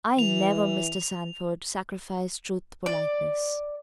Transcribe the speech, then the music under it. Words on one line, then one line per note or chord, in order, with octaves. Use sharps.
"I never, Mr. Sandford, sacrificed truth to politeness."
E3 F7
D5